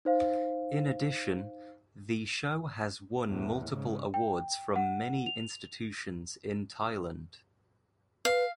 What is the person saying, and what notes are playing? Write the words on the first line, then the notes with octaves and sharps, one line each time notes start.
In addition, the show has won multiple awards from many institutions in Thailand.
D#4 C5 F5
E2 A2
G#2 C#3
G5
F#5
F7
B4 F5